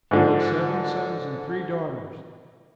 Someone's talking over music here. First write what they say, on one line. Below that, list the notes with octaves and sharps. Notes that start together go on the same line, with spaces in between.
He had seven sons and three daughters.
G#2 D3 F3